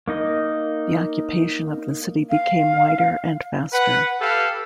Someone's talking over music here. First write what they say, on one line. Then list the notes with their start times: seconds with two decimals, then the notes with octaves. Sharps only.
The occupation of the city became wider and faster.
0.08 A#3 D#4 D#5
2.30 F5
3.73 B4 F#5
4.19 G4 A4 B4 F5